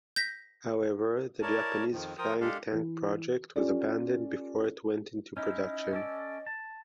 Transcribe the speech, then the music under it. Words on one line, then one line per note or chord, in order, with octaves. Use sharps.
However, the Japanese Flying Tank project was abandoned before it went into production.
G6 A#6 B6
E4 A#4 C#5 D5 A5
F2 D#3 F3
F3 F4 A#4 G5 D#6
G#3 D4 G4 A4 F5
E3
C#4 F4 G4 A4 D5
C#4 D#4 E4 D#5
C#4 A4 D5
A5